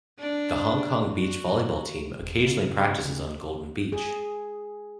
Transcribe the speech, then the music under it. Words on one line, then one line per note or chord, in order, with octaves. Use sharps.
The Hong Kong Beach Volleyball Team occasionally practises on Golden Beach.
D4
F#4
E1
C#3
C#3
G#4